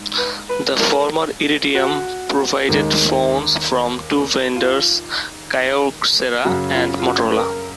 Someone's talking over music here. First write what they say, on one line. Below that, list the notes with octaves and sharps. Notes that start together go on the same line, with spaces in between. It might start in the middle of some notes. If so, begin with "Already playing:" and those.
The former Iridium provided phones from two vendors, Kyocera and Motorola.
Already playing: G#2
B4
B4
A#4
F#4
D#2 D#3 G#3
F4
F#2 C#3 F#3 F#4
F4
F4
F#4
B4
A#4